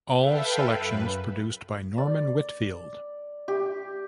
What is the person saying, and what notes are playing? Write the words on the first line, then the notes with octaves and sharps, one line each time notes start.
All selections produced by Norman Whitfield.
A4 B4 E5 F5 G5
F#2 B4
D5
G4